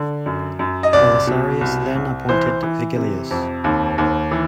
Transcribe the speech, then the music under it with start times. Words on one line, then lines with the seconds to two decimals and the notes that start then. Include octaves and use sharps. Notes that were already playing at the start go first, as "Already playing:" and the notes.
Belisarius then appointed Vigilius.
Already playing: D3
0.26 F#2
0.59 F#2
0.83 D#5
0.93 C2 D5
1.27 B2
1.61 C2
1.95 C2
2.29 E3 C5
2.63 E3
2.96 C3
3.31 F2
3.64 D#2
3.98 D#2
4.31 E3